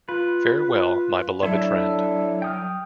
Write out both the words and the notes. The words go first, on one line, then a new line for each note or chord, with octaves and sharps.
Fare well, my beloved friend.
F4 B4
F#3 D4 E4 A4
G5 D#6 F6